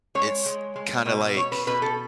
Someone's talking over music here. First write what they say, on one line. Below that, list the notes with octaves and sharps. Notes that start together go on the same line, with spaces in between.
it's kinda like,
G#3 C#5
G#3
G#3
B2
B2 C#5
B4
B2 B4
A4